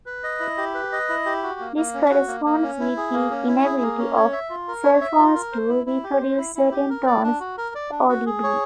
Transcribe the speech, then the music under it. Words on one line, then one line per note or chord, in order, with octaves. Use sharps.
This corresponds with the inability of cellphones to reproduce certain tones audibly.
B4
D#5
E4
G4
B4
D#5
E4
G4
F#4
A#3
A#3
C#4
F#4
A#3
A#3
C#4
E4
G#4
A#3
C#4
E4
G#4
A#3
C#4
C#5
E5
F4
A#4
C#5
E5
F4
A#4
C5
E4
E4
G4
C5
E4
E4
G4
A#4
D5
D4
F#4
A#4
D5
D4
F#4
G#4
C#5